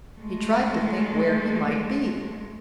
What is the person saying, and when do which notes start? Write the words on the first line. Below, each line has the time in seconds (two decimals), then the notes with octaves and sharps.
He tried to think where he might be.
0.19 G#3 A3